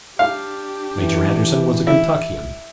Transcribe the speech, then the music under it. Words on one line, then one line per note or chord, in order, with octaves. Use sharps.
Major Anderson was a Kentuckian.
D4 G4 F5
E3
E4